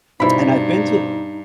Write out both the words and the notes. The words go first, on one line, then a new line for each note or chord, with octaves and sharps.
And I've been to
G2 B2 D#4 E4 C5 B5